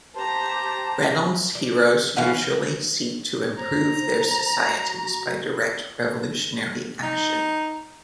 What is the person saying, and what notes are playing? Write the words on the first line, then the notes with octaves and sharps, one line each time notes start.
Reynolds' heroes usually seek to improve their societies by direct revolutionary action.
G4 C5 A5 A#5
D5
E3 C#4 F5 F#5
C5 A#5
F#4
D#4